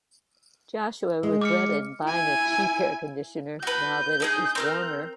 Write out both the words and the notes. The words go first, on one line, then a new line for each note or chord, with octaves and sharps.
Joshua regretted buying a cheap air conditioner now that it was warmer.
G#3
D6 F6 C#7
E4 G#5
F#4 B4 G6
D4 D#4 G#4
C4 A#4 F6